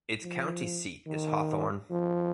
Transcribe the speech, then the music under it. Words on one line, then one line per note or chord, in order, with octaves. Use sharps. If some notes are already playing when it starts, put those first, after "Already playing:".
Its county seat is Hawthorne.
F3
D#3
F3